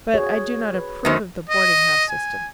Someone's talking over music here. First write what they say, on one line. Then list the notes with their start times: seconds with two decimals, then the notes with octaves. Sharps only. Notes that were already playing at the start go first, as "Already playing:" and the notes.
But I do not approve of the boarding-house system.
0.14 F#4 G#4 C#5
0.74 B4
1.05 F#2 D#3 A3 F#4 C5
1.49 D#5
2.10 G#5